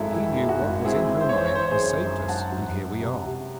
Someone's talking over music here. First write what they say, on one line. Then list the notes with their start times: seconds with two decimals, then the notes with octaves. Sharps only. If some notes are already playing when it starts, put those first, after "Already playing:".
He knew what was in her mind and saved us, and here we are.
Already playing: G#1 F#2 G#3 E4 F#4 G#4 A4
0.13 D#3 E4
0.37 G#3
0.49 F#4
0.62 G#1
0.85 C4 E4 G#4
1.09 C4
1.20 C5
1.29 E3 C#5
1.38 C5
1.46 C#5
1.55 E3 C5
1.63 C#5
1.71 G#4 C5
1.82 F#2
2.05 F#2
2.28 F#3 F#5 A5
2.52 F#3
2.77 F#3
3.01 C3
3.24 C3